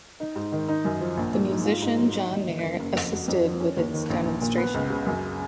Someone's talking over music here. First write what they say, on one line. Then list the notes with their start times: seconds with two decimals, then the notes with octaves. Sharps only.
The musician John Mayer assisted with its demonstration.
0.20 D#4
0.36 G#2
0.52 D#3
0.68 D#4
0.85 F#2
1.01 F3
1.17 A#1
1.33 A#1
1.49 G#2
1.65 F4
1.82 G#2
1.98 F#3
2.15 D#4
2.31 D#2
2.47 D#3
2.63 F#1
2.80 F#1
2.95 F2
3.12 F#4
3.28 F2
3.44 F3
3.60 C#4
3.77 D#2
3.93 D#3
4.10 A#1
4.25 A#1
4.41 A#2
4.58 B3
4.74 C#2
4.90 C#3
5.06 F#2